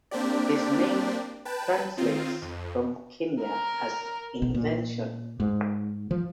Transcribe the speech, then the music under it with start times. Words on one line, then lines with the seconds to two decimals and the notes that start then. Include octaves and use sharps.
His name translates from Quenya as "invention".
0.11 A#3 C4 D4 G4 D5
1.45 B4 G5 A5
1.97 D#3 C4 F4
2.42 F2
3.43 A#4
4.42 B1
4.54 A#2
5.40 G#2
6.11 F3